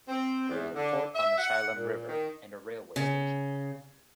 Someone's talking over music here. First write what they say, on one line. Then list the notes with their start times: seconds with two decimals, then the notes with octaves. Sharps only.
There is a port on the Chulym River and a railway station.
0.09 C4
0.49 E2
0.75 D3
1.15 E5
1.38 F#5
1.75 A#2
2.09 D#3
2.96 C#3